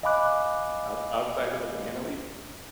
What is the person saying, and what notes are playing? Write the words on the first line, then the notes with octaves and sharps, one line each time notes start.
Out outside of the banana leaf?
D#5 F5 G#5 B5 D6 F#6